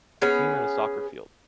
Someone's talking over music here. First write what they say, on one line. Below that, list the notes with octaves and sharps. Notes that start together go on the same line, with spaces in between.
A team in a soccer field.
B3 C#4 G#4